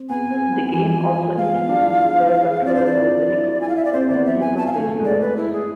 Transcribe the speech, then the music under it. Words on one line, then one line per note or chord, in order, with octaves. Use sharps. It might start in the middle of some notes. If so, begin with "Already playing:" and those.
The game also introduces player-controllable vehicles and vehicle-based levels.
Already playing: C4
B3 G#5
C4
B3
E3
F3
F3
G#3 F5
B3
D4
E4
G#4
E4
G#4
C4 D5
D4 C5
E4 D5
F4
E4
E4 G#5
F5
E5
D5
C4 C5
B3 D5
E5
B3 G#5
B3 A5
F5
G#5
A3
A3
G#3 D5
B4
E4
G#4